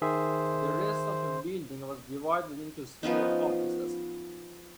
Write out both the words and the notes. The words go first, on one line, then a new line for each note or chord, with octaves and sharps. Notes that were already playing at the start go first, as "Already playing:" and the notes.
The rest of the building was divided into small offices.
D#3 G#4 C5 E5
F3 B3 C#4 D#4